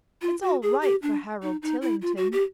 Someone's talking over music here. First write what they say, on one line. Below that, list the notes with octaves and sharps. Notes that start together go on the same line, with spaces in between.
It's all right for Harold Tillington.
F4
F#4
G#4
G4
D4
D#4
D#4
E4
F4
F#4
G4